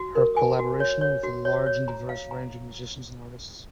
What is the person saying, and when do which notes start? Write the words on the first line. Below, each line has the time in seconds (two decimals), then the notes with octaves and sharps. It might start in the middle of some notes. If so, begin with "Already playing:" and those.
Her collaboration with a large and diverse range of musicians and artists.
Already playing: F#4
0.15 A#4
0.36 G#5
0.59 F#4
0.80 C#5
1.01 C#5
1.23 F#4
1.45 C#5
1.66 C#5
1.88 A#5
2.09 F5
2.31 A#5